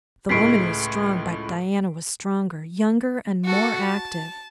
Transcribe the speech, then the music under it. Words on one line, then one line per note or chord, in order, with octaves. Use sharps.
The woman was strong, but Diana was stronger, younger and more active.
C#2 A2 G#3 B6 C7 D7
F#4 A4
A5